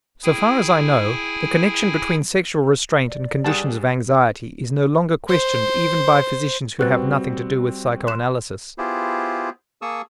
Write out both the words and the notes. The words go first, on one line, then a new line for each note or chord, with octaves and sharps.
So far as I know, the connection between sexual restraint and conditions of anxiety is no longer questioned even by physicians who have nothing to do with psychoanalysis.
E4 G#4 G5 G#5
D5
G2 G3 G#4 F#5 A5
C5
G3 C4 F#4 B4 F#6 A6
C6 F#6 E7
B3 E4 F4 G4 G#4 C5
A#3 G#4 A5 C#6 D#6 E6